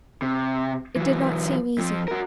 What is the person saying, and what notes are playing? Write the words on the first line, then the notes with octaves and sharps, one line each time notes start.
It did not seem easy.
C3
E3 F#3
F2 F3
F#4 A#4